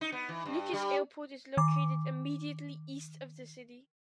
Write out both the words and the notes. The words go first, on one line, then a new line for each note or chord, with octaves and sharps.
Lucas Airport is located immediately east of the city.
D#4
B3
E3
G2
G3
D#3 D6